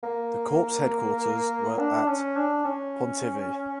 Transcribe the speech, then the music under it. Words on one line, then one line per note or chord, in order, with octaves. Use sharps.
The corps headquarters were at Pontivy.
A#3
D4
C#4
D4
C#4